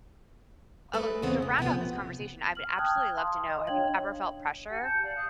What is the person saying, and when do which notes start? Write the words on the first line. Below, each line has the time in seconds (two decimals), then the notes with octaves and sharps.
oh, li to round out this conversation, I'd be absolutely love to know, have you ever felt pressure
0.94 C#3 G#3 A3 A4 B4
1.22 E2 C#3 G#3 B3 C4
1.42 B2
1.59 C3 F3 B3
2.55 F6 F#7
2.78 G5 A5 D#6 F6 F#6 G#6
3.17 F5 A5 C6 D#6
3.48 D#5
3.67 D4 C#5 F5 G5 G#6 F#7
4.68 G4 F#5 G#5
4.82 F#5 A5 G6
5.02 D5 F5
5.15 F5 D#6 F#6